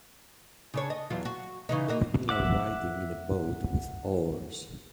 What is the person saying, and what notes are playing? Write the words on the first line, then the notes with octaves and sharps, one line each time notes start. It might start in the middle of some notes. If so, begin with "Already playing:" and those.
People are riding in a boat with oars.
C#3 D4 C#5
D#5
E2 F#3 F4
F#4
C#3 E3 D#4
A#3 F#4 D#5
E5 F#5 D6